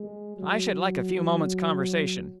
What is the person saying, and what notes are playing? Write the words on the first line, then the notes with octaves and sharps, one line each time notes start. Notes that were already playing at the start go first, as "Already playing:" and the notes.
"I should like a few moments' conversation."
Already playing: G#3
F#3